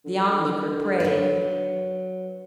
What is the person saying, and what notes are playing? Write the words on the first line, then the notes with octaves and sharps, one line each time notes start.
The Onlooker prayed.
D3
F#3 B4